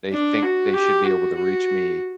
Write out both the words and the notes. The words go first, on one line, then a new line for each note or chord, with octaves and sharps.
they think they should be able to reach me
D4
F#4
G4
F#4
F#4